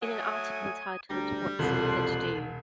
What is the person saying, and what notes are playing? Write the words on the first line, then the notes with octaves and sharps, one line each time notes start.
In an article titled What's a Mother to Do?
F#3 A3 G#5 D#6
D2 G3 A#5
E1 C2 F2 A4 C6 F#6